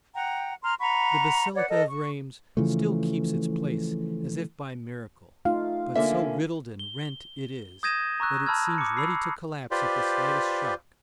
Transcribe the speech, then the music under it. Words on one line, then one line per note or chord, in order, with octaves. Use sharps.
The basilica of Rheims still keeps its place as if by miracle, but so riddled and rent it is, that it seems ready to collapse at the slightest shock.
F#5 G5 A#5
A#5 C6 F6
F#5 A#5 B5 C#6
B4 C#5 D5 F#5
A4 A#4 D#5
C#6
C#3 E3 F3 A3
A3 D#4 F4 F5
D3 A#3 C#4 E5
G7
D#6 G6 G#6 A#6 D#7 E7
A#5 C#6 E6 F#6
A5 B5 E6 F6 G#6
D6 C#7
B5 E6 C7
F4 G4 B4 C5 D5